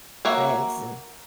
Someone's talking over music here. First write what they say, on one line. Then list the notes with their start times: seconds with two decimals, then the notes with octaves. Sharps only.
Prince and,
0.25 A#3 F#4 C#5 E5 A#5